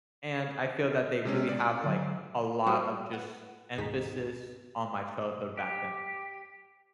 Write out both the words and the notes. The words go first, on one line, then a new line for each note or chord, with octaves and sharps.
and I feel that they really have, like, a lot of just emphasis on my childhood back then.
C3 G#3 C#4 F6
D5
D3 F#3
G3 B3 F#4 A#4 C5 F#5
B4 F#5
D2 G#2 D#3 D#4 G#4 B6
G4